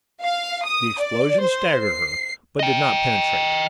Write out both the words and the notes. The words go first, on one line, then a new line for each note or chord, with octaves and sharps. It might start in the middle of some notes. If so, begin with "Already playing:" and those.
The explosions staggered her, but did not penetrate.
F5
D#6
D5
C5
C7
D#5 G5